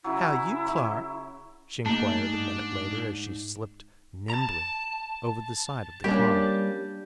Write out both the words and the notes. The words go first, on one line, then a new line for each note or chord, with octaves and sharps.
"How you, Clark?" she inquired a minute later as she slipped nimbly over the side of the car.
C#3 F#3 E4
G#2 A3 A#3 D4 D#4
A5 A#5
G3 A#3 C#4 D4 G4